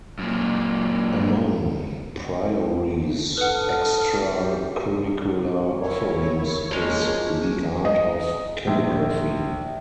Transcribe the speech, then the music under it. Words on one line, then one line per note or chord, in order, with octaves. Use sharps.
Among Priory's extracurricular offerings is the art of calligraphy.
F#2 A#2
G#2 A4 B4 F#5 D#6 F6
G4
E4 A#4 C#5
F3 G#3 A#3 C#4
D#5
A#1